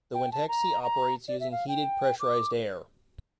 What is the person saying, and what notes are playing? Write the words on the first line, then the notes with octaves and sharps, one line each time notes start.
The Windhexe operates using heated pressurized air.
G5
A5
A#5
A#5
D5
E5
F5
G5
D6